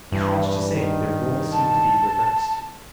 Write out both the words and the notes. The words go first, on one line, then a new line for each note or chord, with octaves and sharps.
Strange to say, their roles seemed to be reversed.
G2 E3
D#3
A5